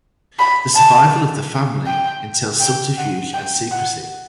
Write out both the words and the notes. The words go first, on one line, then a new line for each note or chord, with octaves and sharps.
The survival of the family entails subterfuge and secrecy.
B5
A5
G5
G5
F#5
G5
F#5